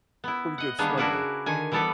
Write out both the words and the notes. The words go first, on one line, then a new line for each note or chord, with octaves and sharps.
pretty good swimmer
B3 E4
D#5 F#5
D#3 G3 A#3 B3 D4 G#4
C#3 D4 E4 F#4 A#4 B4
D3 D#3 G#5
E3 G3 B3 A4 B4 D5